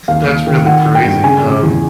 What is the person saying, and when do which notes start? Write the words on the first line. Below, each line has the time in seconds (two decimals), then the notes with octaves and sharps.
that's really crazy, um
0.08 D#2 F5
0.27 D#2
0.47 D#3
0.66 D#3 F#5
0.86 D#3
0.95 G5
1.04 G2
1.23 C#3 G#5
1.43 C#3
1.63 E2